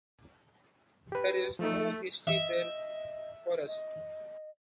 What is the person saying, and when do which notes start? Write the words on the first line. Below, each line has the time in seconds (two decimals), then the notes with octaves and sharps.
There is no history there for us.
1.12 G4 B4
1.59 F3 A3 D#4
2.27 D#5 E5
3.67 D#5